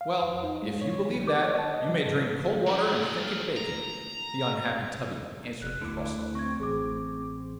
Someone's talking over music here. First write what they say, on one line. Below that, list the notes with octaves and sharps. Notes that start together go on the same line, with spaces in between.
Well, if you believe that, you may drink cold water and think it bacon,' the unhappy Tubby answered crossly.
F5
F2
D#4
G#3
C#5
C2
D6
C#5
A5
D#5
F#3
G#2
E3 F3
A#5
F1 F#6
D2 D3 E4 D6
C4 C#6 G#6
A1 G#4 D6